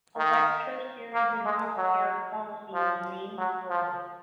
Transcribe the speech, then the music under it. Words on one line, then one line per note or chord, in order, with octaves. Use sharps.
A lecture series in health care policy was named for him.
D#3
A#3
G#3
F#3
F3
F#3
F3